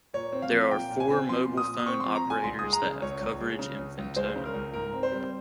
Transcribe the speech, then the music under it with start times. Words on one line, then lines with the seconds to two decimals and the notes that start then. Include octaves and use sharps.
There are four mobile phone operators that have coverage in Fintona.
0.14 A#2 C#5
0.33 C4
0.42 F5
0.52 F3
0.71 A#2 G5
0.90 A#2
1.00 G#5
1.10 C4
1.29 F3 C6
1.49 A#2
1.57 D#6
1.68 A#2
1.79 D#6
1.86 C4 C#6
2.00 C6
2.06 F3
2.15 A#5
2.25 A#2
2.30 G#5
2.44 C#2 C6
2.59 G#3 D#6
2.73 A#5
2.82 C#3
3.02 C#2 C#5
3.21 C#2
3.40 G#3
3.59 C#3
3.78 C#2
3.98 C#2
4.16 G#3 C5
4.36 C#3
4.45 A#4
4.55 C#2
4.74 G#2 A#4
4.93 C4
5.03 C5
5.12 G3